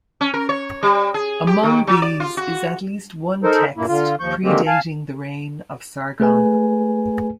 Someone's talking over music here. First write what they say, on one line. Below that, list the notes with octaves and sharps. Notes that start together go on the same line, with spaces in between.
Among these is at least one text predating the reign of Sargon.
C#4
A#4
C#5
G3
G#4
G4
D#3
F#3
D5
F4
F#4
D#4 A4 A#4 C5
G2 A#2 A#3 E4
D3 F4
D#2 F3 C#6 G6
D3 D#3 G#3 A#3 C4 G4
F5 G#5 A5
A3 G#4 B4 G#5